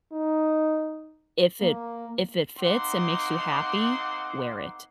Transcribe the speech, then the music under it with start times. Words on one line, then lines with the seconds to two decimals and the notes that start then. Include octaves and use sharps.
if it if it fits and makes you happy, wear it.
0.13 D#4
1.61 A#3
2.59 A#3 C4 D#4 F#5 C6 D6